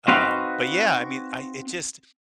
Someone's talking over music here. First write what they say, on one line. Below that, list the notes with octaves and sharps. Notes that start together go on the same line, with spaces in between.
Um, but yeah, I mean, I it just
C4 D#4 F#4 B4 F5